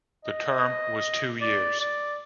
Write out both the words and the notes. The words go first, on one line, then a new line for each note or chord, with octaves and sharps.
The term was two years.
D#5
D5
D5